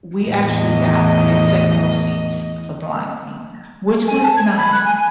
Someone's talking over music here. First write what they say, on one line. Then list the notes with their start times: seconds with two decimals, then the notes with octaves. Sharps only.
we actually got had second row seats for the Lion King which was nice
0.24 E2 A2 D#5
4.08 G#5
4.23 A5
4.37 G#6
4.57 B5
4.73 F#6
4.85 G#5
4.97 G#5